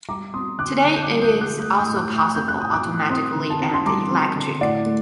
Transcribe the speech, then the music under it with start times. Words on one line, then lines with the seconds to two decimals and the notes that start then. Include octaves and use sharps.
Today it is also possible automatically and electric.
0.09 G3 A#5 D6
0.34 C4 C6 D#6
0.58 D3 D6 F#6
0.84 D3
0.95 G6
1.02 D6 F#6
1.10 G3
1.21 D#6 G6
1.34 D3
1.40 D6 F#6
1.59 A3 D#6 G6
1.78 D#6 G6
1.84 A2
1.97 D6 F#6
2.10 A3
2.16 D#6 G6
2.35 C4 G6
2.48 F#6
2.60 A2 D#6
2.73 D6 F#6
2.85 A2
3.10 C4 C6 D#6
3.36 D3
3.50 A5
3.60 C4 A#5
3.74 C6
3.85 G3 A#5 D6
4.11 C4
4.36 D3
4.61 A2 D5 F#5
4.86 A3